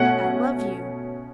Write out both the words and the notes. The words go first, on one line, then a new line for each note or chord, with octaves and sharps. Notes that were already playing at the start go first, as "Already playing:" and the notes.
I love you.
Already playing: B2 A3 C#4 F#5